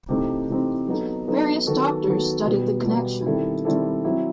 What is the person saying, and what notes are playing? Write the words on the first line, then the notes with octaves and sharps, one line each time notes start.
Various doctors studied the connection.
C3 E3 A3 C4 D#4
C3 E3 A3 C4 D#4
F#3 B3 D#4 A4
F#3 B3 D#4 A4
D#3 F#3 B3 F#4 A4
D#3 F#3 B3 F#4 A4
B2 G3 B3
B2 G3 B3
D#3 G3 C4 E4 A4
D#3 G3 C4 E4 A4
F#3 C4 E4